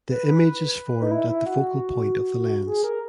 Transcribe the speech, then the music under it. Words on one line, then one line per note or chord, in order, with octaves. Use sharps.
The image is formed at the focal point of the lens.
B4
D#4
E4
E4
F#4
G#4
A#4